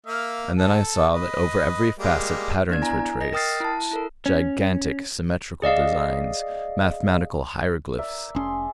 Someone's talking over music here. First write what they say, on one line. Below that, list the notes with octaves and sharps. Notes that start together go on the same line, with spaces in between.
And then I saw that over every facet patterns were traced; gigantic symmetrical designs; mathematical hieroglyphs.
A#3 E5 F5
A4
B4 D#5
G3 G#3 A#3
B3 D4 D5 G#6
E4 G#5 A#5
D#5 A#6
A#4 G5 D#6 F6 A6 C7
E4 A5
E4 A4 A#4
C#4
G#4 D5 D#5 F5
A#4 D5 E5
F1 C#4 G#4 A5 C6